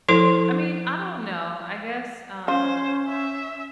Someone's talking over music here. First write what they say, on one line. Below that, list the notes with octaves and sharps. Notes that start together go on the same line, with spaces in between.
I mean, I don't know, I guess, um,
F3 E4 A4 C5 C6
C#4 F4 C5
E5